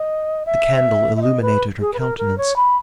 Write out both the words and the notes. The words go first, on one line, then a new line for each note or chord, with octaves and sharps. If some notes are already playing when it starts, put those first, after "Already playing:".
The candle illuminated her countenance.
Already playing: D#5
E5
E5
D#5
B4
G#4
B4
A#4
A#4
C#5
B5